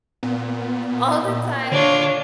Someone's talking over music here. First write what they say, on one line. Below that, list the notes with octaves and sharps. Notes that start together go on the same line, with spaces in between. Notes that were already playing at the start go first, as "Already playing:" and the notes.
all the time.
A#2 B3
D3 D4 F4 C#5